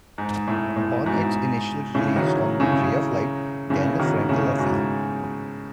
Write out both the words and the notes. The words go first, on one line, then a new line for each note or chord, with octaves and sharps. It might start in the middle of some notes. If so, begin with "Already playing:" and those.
Upon its initial release on "Ray of Light", Daniel Frankel of E!
G#2
A2
A2
G#2 B2
A2 C#3
D#3 F#3
A2 C#3
A2 C#3
B2 D#3
A2 C#3
G#2 B2